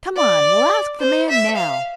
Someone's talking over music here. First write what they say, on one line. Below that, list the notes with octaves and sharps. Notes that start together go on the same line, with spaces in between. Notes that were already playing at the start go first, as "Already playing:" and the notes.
"Come on, we'll ask the man now."
D5
C5
E5
F5